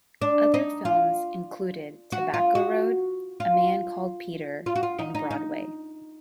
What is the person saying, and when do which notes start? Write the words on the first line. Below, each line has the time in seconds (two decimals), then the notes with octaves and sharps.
Other films included "Tobacco Road", "A Man Called Peter", and "Broadway".
0.22 D4
0.54 D#4
0.85 F4
2.12 F#4
2.34 F4
2.55 F#4
3.40 F4
4.66 F4
4.75 F#4
4.83 F4
4.99 D#4
5.15 D#4
5.31 D#4